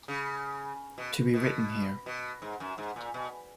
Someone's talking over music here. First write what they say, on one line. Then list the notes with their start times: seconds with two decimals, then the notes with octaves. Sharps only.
To be written here.
0.08 C#3
0.98 B2
1.34 B2
2.06 B2
2.42 G#2
2.60 F#2
2.78 G#2
2.96 A#2
3.14 B2